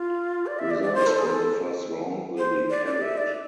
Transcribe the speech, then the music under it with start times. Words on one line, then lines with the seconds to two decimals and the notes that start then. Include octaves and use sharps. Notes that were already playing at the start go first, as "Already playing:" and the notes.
Results from the first round will be carried.
Already playing: F4
0.46 D5
0.59 E5
0.70 D5
0.82 D5
0.95 C5
1.07 A4
1.18 G#4
1.26 B4
1.30 A4
2.38 C5
2.70 D5
2.86 D5
3.02 E5
3.18 D5